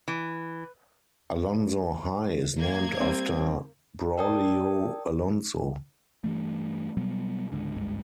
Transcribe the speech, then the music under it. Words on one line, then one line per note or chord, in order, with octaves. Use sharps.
Alonso High is named after Braulio Alonso.
E3
A#3 G#6
G3 C4
A#4 D5 G5 A5 D#6
G2 E3 A3
B2 F#3 G3 B3
C#2 G#2 D3
G#1 C#2 G2 G#3